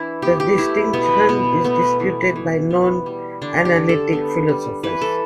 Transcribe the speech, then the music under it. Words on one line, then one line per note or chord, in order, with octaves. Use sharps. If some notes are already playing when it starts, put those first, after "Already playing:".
The distinction is disputed by non-analytic philosophers.
Already playing: E3 D4 E4
B3 G4
G4
A3 E4
B2 B3
B2 B3
A3 B3
E3
E3
B3
G3
D3 D4
G4
D3
A4
B3
G3
E3 B4
A4